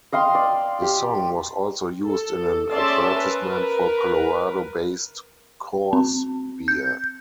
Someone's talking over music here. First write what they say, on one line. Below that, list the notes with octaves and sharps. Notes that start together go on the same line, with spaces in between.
The song was also used in an advertisement for Colorado-based Coors beer.
D#5 F5 G5 C6
D5
G4
A4
C#4 G#4 D5 E5 A5 C6
A#4 B4
C4
G6